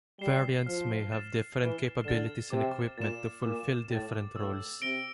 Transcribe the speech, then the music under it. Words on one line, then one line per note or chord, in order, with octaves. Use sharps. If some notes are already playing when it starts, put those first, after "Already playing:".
Variants may have different capabilities and equipment to fulfill different roles.
G3 C7 E7 G7
F3 F6
A6 E7
E3 F6
D3 A6 E7
C3 D6
A#2 A6 E7
A#2 D6
A2 A6 E7
A2 E6
C3 A#6 D7 G7